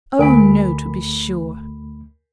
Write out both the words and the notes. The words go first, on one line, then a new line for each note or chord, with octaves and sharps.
Oh, no! to be sure.
D2 A3 A#4 G#5 B5